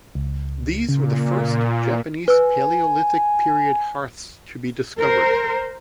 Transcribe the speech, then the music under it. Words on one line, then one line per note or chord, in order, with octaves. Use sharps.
These were the first Japanese Paleolithic period hearths to be discovered.
C#2
A#2 C#3
B4 G#5 E6
A#4 C5